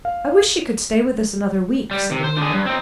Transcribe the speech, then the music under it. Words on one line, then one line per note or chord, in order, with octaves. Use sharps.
"I wish she could stay with us another week," said Amelia.
F5
G3
C3
C5
D3 G#4
G2
C4 D#4